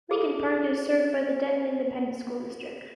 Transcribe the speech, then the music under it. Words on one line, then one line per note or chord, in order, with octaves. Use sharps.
Lincoln Park is served by the Denton Independent School District.
G#4 A4